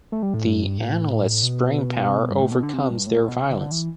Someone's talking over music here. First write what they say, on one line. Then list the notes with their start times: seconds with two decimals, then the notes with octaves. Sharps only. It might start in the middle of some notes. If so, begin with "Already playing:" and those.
The analyst's brainpower overcomes their violence.
0.12 A3
0.23 G3
0.34 A2
0.45 G2
0.56 F#2
0.66 G2
0.78 A2
1.43 B2
2.08 C3
2.19 B2
2.30 G2
2.41 A2
2.52 B2
2.63 D3
2.74 C3
2.90 G2
3.07 A2
3.28 B2
3.50 D3
3.60 D3
3.71 E3